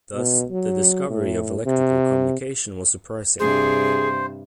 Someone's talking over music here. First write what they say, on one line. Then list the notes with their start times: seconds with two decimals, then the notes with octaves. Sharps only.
Thus, the discovery of electrical communication was surprising.
0.15 B2
0.51 F#3
1.09 A2
1.66 C3
3.39 G2 C3 G#4 C5